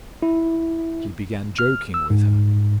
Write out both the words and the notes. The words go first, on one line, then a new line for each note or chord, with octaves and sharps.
He began joking with her.
E4
F6
E6
G#2